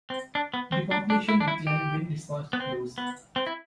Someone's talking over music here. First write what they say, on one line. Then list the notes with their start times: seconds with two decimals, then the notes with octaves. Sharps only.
The population declined when this was closed.
0.10 C4
0.35 D4
0.54 B3
0.72 C4
0.91 D4
1.10 D4
1.29 E4
1.40 D4
1.48 E4
1.67 G4
2.53 B3
2.60 C4
2.98 B3
3.36 C4
3.47 E4